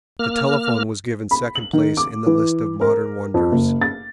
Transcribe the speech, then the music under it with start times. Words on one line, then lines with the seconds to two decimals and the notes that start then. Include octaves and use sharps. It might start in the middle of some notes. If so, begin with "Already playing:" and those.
The telephone was given second place in the list of modern wonders.
0.19 A#3 F6
1.31 B5
1.55 F#7
1.73 D#3
1.97 D6
2.26 E3
2.81 A#4
3.34 F2
3.52 F#1
3.81 A6